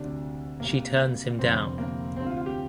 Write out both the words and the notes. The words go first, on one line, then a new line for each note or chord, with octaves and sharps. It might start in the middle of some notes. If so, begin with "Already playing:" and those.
She turns him down.
Already playing: D2 C3 D4
C2 C3 A#3
F1 F2 D3 C4
A#3
D2 C3 C4
F4
F4
G4